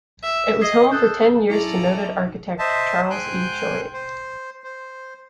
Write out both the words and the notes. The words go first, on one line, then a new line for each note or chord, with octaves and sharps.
It was home for ten years to noted architect Charles E. Choate.
E5
D#5 D#6 G#6 C7
A4 D#6 F#6 G6
F#3 C#4 D#4 E4 A4 D5 E5 A#5
C5 D#5 E5 A5
G#2 G5 G#5 C6 F#6 G6
C5
C5